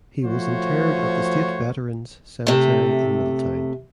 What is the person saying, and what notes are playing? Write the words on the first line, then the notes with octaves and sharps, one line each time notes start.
He was interred at the State Veterans Cemetery in Middletown.
F3 A3 F4 F#4 C5 C#5
C3 A3